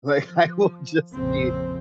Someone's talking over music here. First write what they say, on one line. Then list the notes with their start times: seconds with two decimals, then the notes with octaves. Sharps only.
Like, I will just be
0.22 F3
1.13 A#1 F2 C#3 F3 C4